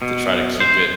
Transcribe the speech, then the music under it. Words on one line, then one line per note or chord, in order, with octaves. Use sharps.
to try to keep it,
B2
C5